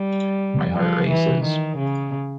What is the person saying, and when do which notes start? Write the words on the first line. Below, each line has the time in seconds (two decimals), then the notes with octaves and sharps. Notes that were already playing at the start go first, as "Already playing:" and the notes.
My heart races.
Already playing: G3
0.76 F3
1.10 E3
1.45 D#3
1.79 C#3